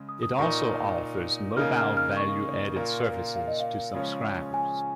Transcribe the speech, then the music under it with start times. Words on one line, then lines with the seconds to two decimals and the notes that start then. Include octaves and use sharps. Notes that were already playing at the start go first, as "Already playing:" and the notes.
It also offers Mobile Value Added Services to subscribers.
Already playing: C#3 G#3
0.09 D#6
0.23 D#6
0.38 A#2 A#3 D#4 C#6
1.57 C#3 A#3 D#4 F6
1.77 F6
1.97 F6
2.17 C#6
2.76 A#2 A#3 F4
3.36 F5
3.48 D#5
3.60 F5
3.94 C#3 F3 G#3 C#4
4.54 G#5